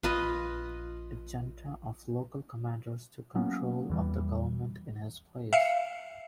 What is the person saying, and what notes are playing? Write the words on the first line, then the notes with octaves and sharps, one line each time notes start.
A junta of local commanders took control of the government in his place.
A#1 F4 B4 D#5
F#3 A#3 B3 C#4
E2 E3 G3
E5 F5 C7 C#7